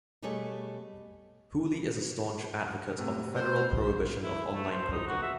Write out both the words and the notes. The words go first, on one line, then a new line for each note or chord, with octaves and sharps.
Hooley is a staunch advocate of a federal prohibition of online poker.
B2 G3 A3 G#4 A4 C#5
A2 C3
C5
E4
A3
C5
D#4
F#4
E5